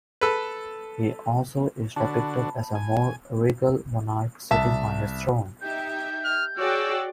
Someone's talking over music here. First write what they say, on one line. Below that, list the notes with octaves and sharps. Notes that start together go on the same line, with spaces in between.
He also is depicted as a more regal monarch sitting on his throne.
A4 B4
D3 D4 F#4 A5 B5
G#5
C2 E5 A5 E7
D#4 G4 E5 G6
F6
F#4 G#4 C#5 D5 G5 E6